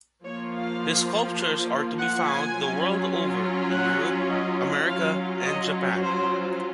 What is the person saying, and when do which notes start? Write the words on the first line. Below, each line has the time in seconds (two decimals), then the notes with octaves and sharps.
His sculptures are to be found the world over, in Europe, America and Japan.
0.24 F3 A#3 F4 C#5
0.52 F5
1.97 F#5
2.26 G#5
2.55 F#3 C#4 F4
3.70 F#5
4.28 D#5
4.86 F#3 C#4 F4 F5
5.44 D#5
6.02 C5